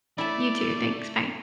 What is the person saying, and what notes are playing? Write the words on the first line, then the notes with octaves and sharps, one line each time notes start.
You too. Thanks. Bye.
A3 E4 D5 A5